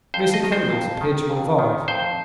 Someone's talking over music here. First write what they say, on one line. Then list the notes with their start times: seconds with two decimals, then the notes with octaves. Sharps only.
Mr Kenwigs appeared to revive.
0.14 F2 C5
0.34 D#5
0.43 D#3
0.52 C5
0.73 F2
1.01 D#3
1.30 F2
1.59 D#3
1.88 F2 C5